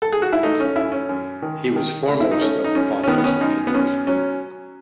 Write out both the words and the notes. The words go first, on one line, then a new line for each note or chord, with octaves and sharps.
He was foremost of the pontiffs of Hinduism.
A4
G#4
F#4
E4
A3 D#4
C#4
F#2 E4
C#4
F#2
D#3
D#3
A3
E4
D#4
A3 C#4
D#4
F#2 C#4
C#4
D#3 B3
B3
C#4
F#2 D#4
B3
F#2 C#4
F#3 C#4